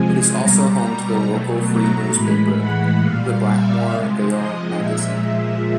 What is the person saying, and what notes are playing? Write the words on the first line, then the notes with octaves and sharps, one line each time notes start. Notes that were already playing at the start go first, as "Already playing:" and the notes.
It is also home to the local free newspaper, the Blackmore Vale Magazine.
Already playing: C3 F3 G#3 G#5
B2 G3 A#5
B2 F#3 A3
A#5
A2 E3 G#3 B5
F#5
A#2 G3 F5
E5
C3 F3 G#3
D#5
A#2 F3 G#3 E5